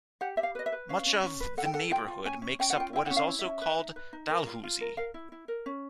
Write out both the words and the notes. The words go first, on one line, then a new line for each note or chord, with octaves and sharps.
Much of the neighbourhood makes up what is also called Dalhousie.
G4 F#5
G4 E5
F5
B4 D#5
E5
B4
C#4 F5
C#4
C#4
B4
A4 F#5
G5
A4 F#5
F4 G5
F4
C#4 G#5
C#4
C#4 G5
F#5
F4 G5
E4 G5
C#4 F#5
F5
E4
E5
C#4
B4
D#4
B4
D#4
A#4
F4
F4
A#4
A#4 F5
E4
E4
A#4
C#4